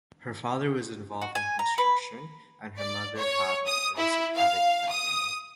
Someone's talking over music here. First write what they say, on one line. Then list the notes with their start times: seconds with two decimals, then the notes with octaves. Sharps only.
Her father was involved in construction and her mother had an aristocratic background.
1.22 F#4
1.35 G#5
1.59 A#5
1.78 B4
2.77 D5
3.17 C#5
3.66 D#6
3.96 E4
4.35 F5
4.89 D#6